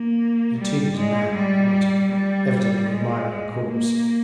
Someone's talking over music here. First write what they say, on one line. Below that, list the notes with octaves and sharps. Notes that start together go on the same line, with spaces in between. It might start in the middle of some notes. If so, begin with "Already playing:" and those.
'He too was a man!' he muttered, evidently admiring the corpse.
Already playing: A#3
G3
G#3
G3
G3
G#3
A#3